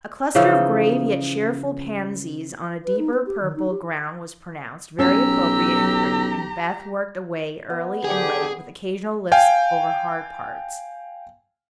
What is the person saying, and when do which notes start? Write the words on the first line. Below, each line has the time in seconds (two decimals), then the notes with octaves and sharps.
A cluster of grave yet cheerful pansies on a deeper purple ground was pronounced very appropriate and pretty, and Beth worked away early and late, with occasional lifts over hard parts.
0.35 C#3 E3 F3 D#4
2.84 B4
2.98 D#4
3.13 B4
3.26 G4
3.41 D#3
3.55 D#4
3.70 G4
4.99 B1 C#4 G4 A#5 E6
7.70 B3 D#5
8.04 D3 G4 G#4
9.32 F5 G5 G#5